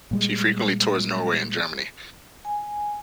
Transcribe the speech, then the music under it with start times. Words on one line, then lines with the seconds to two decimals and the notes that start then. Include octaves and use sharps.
She frequently tours Norway and Germany.
0.11 A#2 G3 G#3
2.45 G#5